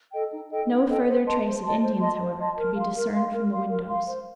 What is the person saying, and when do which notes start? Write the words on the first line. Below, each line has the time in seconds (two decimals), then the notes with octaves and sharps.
No further trace of Indians, however, could be discerned from the windows.
0.12 A4 D#5 G5
0.31 D#4
0.50 A4 D#5 G5
0.69 D#4
0.87 A4 D#5 G5
1.06 C5
1.26 D#5 A5 C6
1.44 C5
1.62 D#5 A5 C6
1.81 C5
2.00 D#5 A5 C6
2.19 C5
2.37 D#5 A5 C6
2.57 A#4
2.76 F5 C6
2.94 A#4
3.13 F5 C6
3.31 A#4
3.51 F5 C6
3.69 A#4
3.89 F5 C6
4.08 C5